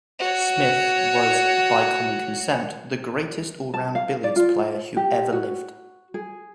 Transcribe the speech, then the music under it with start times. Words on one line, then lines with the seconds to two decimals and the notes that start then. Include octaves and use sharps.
Smith was "by common consent, the greatest all-round billiards player who ever lived".
0.19 F#4 C#5
3.74 A5
3.95 F5
4.24 D5
4.36 F4
4.97 G4
5.33 F#4
6.14 G#4